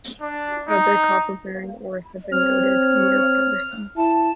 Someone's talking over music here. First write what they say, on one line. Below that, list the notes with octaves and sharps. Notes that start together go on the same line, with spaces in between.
Other copper bearing ores have been noted near Paterson.
D4
D#4
C4 C#5 F6
E4 A5